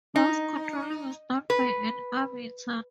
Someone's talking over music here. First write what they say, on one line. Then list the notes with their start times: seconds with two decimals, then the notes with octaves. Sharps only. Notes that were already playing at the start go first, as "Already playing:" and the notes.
Bus controlling is done by an arbiter.
0.16 D#4
1.50 B4